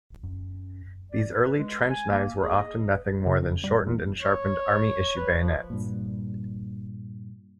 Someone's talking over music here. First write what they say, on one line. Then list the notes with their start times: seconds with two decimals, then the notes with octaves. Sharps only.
These early "trench knives" were often nothing more than shortened and sharpened Army-issue bayonets.
0.23 F#2
1.12 D5
1.32 B4
1.57 G#3
1.90 G#5
2.10 A#3
2.42 G#4
2.58 D#5
2.88 B4
3.27 C#3
3.43 F#2
3.64 G3
3.87 E2
4.21 C#5
5.17 B4
5.39 F3
5.70 G2 A#2